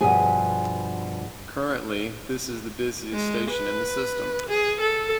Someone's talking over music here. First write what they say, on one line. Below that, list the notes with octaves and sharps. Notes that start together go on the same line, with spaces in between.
Currently, this is the busiest station in the system.
G2 B2 F3 G#4 G#5
G#3
B4
G#4
A4